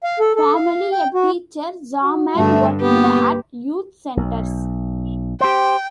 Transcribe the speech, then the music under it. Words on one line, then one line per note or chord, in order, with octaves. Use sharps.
Formerly a teacher, Zaman worked at youth centres.
F5
A4
A4
F5
G5
F#4
F#4
G2 D3 A3
A#3 B3 G4 B4
B1
G4 C5 G5